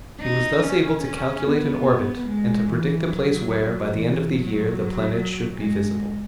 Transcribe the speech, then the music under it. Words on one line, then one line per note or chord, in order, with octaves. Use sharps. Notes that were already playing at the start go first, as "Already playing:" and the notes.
He was thus able to calculate an orbit, and to predict a place where, by the end of the year, the planet should be visible.
D#4
C#4
C#4
B3
G#3
E3
F#3
E3
F#3
G#3